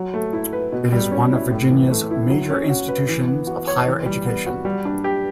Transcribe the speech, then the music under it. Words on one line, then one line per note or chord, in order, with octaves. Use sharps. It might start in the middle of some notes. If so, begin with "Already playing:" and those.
It is one of Virginia's major institutions of higher education.
Already playing: F#3
A3
E4
B4
B2
G3
C#4
E4
A2
E3
A3
E4
F#3
C#4
F#4
B4
E3
B3
F#4
C#5
E3
G3
B3
F#4
G3
D4
G4